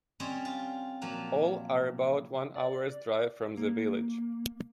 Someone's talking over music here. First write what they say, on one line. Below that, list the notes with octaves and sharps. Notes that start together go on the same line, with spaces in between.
All are about one hour's drive from the village.
G3 C4 C#4 C5 C#5 D#5
F4
A#2 F3 F#3
D5
A#3